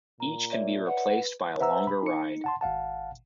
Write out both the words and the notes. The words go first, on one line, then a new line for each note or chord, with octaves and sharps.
Each can be replaced by a longer ride.
A#2 A#5
C#5 D5 E5
B4 F#5
B4 C5 E5 F#5 A#5 E6
B5
D#4 C#7
F#5 A5 C6
G#1 F5 F#5 A5